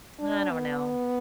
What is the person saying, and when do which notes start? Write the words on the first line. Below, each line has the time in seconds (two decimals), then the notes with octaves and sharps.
I don't know.
0.19 D4
0.50 B3